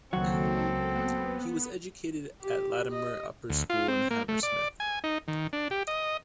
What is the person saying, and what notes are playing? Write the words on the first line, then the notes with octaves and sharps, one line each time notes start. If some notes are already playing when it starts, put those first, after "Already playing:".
He was educated at Latymer Upper School in Hammersmith.
C#2 D#3 F#3 A#3 C4 F#4 A4
B3
G4
D#5
D2
F4
C4
A#3
A3
D5
G#5
D#4
D#3
D4
G4
D#5